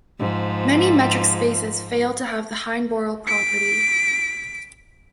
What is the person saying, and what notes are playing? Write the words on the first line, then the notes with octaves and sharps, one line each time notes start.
Many metric spaces fail to have the Heine-Borel property.
G#2 F3
B6 D7